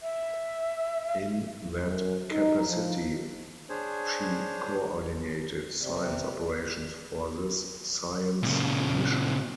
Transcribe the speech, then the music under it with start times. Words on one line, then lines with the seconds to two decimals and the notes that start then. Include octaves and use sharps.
In that capacity she coordinated science operations for this science mission.
0.02 E5
1.85 F#2
2.31 D#4
2.66 F3
3.69 D4 G#4 C5 C#5
5.82 C3 D5
8.43 A#2 C#3